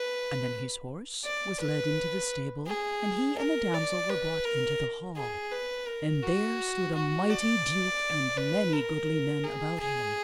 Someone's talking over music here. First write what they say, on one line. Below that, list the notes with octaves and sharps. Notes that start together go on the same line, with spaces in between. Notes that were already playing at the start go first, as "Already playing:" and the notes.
And then his horse was led into the stable, and he and the damosel were brought into the hall, and there stood a mighty duke and many goodly men about him.
Already playing: B4
D5
B4
G#4
A#4
D5
B4
A#4
G#4
B4
A#4
F#4
F#4
D5
B4
A#4
G#4
G#4